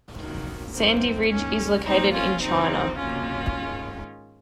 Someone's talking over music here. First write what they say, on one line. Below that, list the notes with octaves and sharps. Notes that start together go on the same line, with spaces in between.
Sandy Ridge is located in China.
C3 D#3 F#3 A#3
F#2 D#3 A#3 C4
F#2 D#3 F#3 A#3 C#4
F2 C3 F#3 A#3 C4 D#4
C#4 F4
F#2 C#3 F3 C4 D#4
C3 D#3 F#3 A#3 C#4 F4
G#2 D#3 G#3